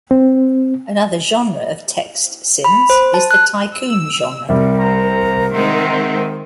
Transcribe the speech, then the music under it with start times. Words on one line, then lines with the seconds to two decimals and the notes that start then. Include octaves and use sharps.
Another genre of text sims is the tycoon genre.
0.11 C4
2.64 B5
2.90 C5
3.14 A5
3.31 F#6
3.76 E6
4.49 C2 C3 G3 A#4
4.79 C5 A#5
5.53 D#3 G#3 C4 E5 F#5 C6